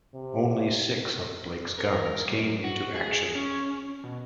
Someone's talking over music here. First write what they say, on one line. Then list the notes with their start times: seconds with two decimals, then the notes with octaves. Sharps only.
Only six of Blake's guns came into action.
0.14 C3
1.79 A#4
2.30 F#2
2.64 F#4
2.95 G#4
3.35 C#4
4.04 B2